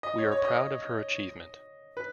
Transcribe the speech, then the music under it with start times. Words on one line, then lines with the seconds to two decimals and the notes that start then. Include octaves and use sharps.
We are proud of her achievement.
0.03 D#5
0.18 C#5
0.32 C#5
0.45 D#5
1.97 B4